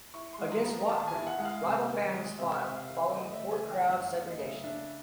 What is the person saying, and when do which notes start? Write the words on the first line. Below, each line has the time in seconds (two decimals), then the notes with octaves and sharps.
Against Watford, rival fans fought following poor crowd segregation.
0.14 E4 C#6
0.33 C6
0.38 G#3
0.52 A#5
0.64 B3
0.70 A#5
0.89 D#3 A5
1.00 A5
1.08 G#5
1.14 E4
1.27 F#5
1.38 G#3 F#5
1.45 F5
1.64 C3
1.89 D#3
2.14 G#3
2.39 C3 E5
2.58 E5
2.64 C3
2.77 F5
2.89 D#3
2.95 E5
3.14 A3 D#5
3.26 D#5
3.32 E5
3.39 C#3
3.51 G#5
3.64 E3
3.70 G5
3.89 F#2
4.07 F5
4.14 A3
4.27 D#5
4.39 C#3
4.45 E5
4.64 D4 E5